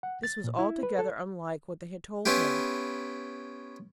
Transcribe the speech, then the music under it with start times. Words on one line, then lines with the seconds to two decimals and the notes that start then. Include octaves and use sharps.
This was altogether unlike what they had told him.
0.03 F#5
0.23 A6
0.44 A#2
0.59 E4
0.83 B4
0.99 A4
2.26 B3 C#4 E4 F4 G4